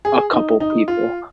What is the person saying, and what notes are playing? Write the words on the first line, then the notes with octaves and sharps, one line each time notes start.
a couple people,
G#4
D#4
D#4
F4